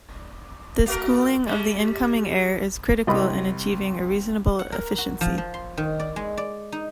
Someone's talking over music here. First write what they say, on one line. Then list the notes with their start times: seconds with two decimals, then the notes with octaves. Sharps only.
This cooling of the incoming air is critical in achieving a reasonable efficiency.
0.86 A3 F#4 A#4
1.46 G3 G#3
3.07 C2 D#5 B5
4.59 F#5
4.72 A#4
4.98 F#4
5.21 F3
5.38 F3
5.54 C6
5.77 D#3
6.00 D5
6.16 G#3
6.37 D5
6.72 D#4